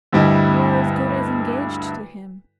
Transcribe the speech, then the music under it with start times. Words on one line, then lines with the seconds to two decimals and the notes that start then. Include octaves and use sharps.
You are as good as engaged to him.
0.12 D2 G2 G3 E4 D#5